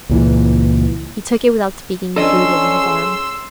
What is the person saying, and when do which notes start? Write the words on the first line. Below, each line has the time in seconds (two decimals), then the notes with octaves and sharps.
He took it without speaking, and threw it over his arm.
0.09 C#2 A#2 E3
2.16 F3 C#4 D4 A4 D#5 C6 E6
2.84 G#4